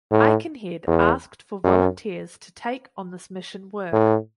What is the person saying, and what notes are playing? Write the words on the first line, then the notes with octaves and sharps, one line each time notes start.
Aikenhead asked for volunteers to take on this mission work.
A2
E2
F#2
A2